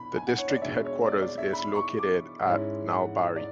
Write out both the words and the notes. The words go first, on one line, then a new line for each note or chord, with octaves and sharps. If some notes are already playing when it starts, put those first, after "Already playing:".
The district headquarters is located at Nalbari.
Already playing: B2 B5
G#5
F#5
C#5
D5
B2 G#3 D4 E5
C#5
D5
D5
E5
B5
C#6
D6
G#2 G#3 C#4 E4
F#5
D5